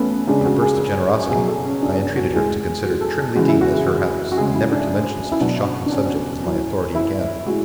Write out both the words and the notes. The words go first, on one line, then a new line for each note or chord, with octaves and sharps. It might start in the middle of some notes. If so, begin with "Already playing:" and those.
In a burst of generosity, I entreated her to consider Trimley Deen as her house, and never to mention such a shocking subject as my authority again.
Already playing: C#3 A3 B3 C#4
C#4
C#3 G#3 D4
G#4
F#4
G#4
B2 F#3 G#4
A4
C#4
D4
C#4
F#4
A2 G#3 G#4
F#4
A4
G#4
C#3 E3 G#3 F#4
E4
F#4
G#4
F#4
F#4
C#3 G#3 G#4
E4
D4
E4
B2 F#3 D4
D4
C#4
A2 F#3
E4
A2 G#3 F#4